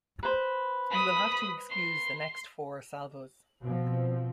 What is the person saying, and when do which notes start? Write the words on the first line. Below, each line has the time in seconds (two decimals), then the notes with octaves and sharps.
You will have to excuse the next four salvos.
0.23 B4 C5
0.91 B5 D#6
1.70 C6
3.60 B2 F3 C4